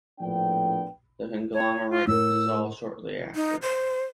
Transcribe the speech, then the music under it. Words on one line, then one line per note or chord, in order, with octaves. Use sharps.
The conglomerate dissolved shortly after.
A#1 A2 F3 B3 D4 G5
C#5
F4
A2 A#4 E6
D#4
C5